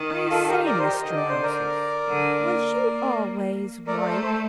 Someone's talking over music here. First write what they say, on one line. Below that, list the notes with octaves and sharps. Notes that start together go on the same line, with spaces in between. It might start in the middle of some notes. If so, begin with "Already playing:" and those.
"I say, Mr. Mouses, was you always white?"
Already playing: D#3
F4 A4
A4
G4 A#4
A#4 D5
C5
G4 A#4
D3 D#5
D5
C5
A#4 D5
D3
A#3
A3 A#4 D5
D5
A4 C5
A4 C5